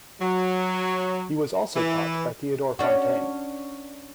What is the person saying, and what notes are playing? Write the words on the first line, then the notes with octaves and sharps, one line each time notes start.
He was also taught by Theodor Fontane.
F#3
E3
C#4 D4 F#4